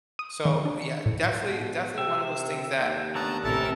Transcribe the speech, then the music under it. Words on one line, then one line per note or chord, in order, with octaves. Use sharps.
So, yeah, definitely definitely one of those things that,
D#6
D#3
D4
C#7
A2
B2
C3 E5
D#2
A3 B3 D4 A5 A#5
A1 C3 C#4 E4 A4 A#4 A5